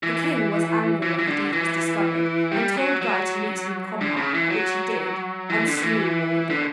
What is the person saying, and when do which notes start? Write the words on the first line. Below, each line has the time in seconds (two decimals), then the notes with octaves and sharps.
The King was angry when the deed was discovered and told Guy to meet him in combat, which he did, and slew Morgadour.
0.03 E3
1.02 E3
1.19 E3
1.27 D3
1.53 E3
2.52 G3
2.77 F#3
3.02 F#3
4.01 D3
4.17 C#3
4.34 E3
4.50 F#3
5.50 E3
5.67 D3
5.77 D3
5.83 E3
6.50 D3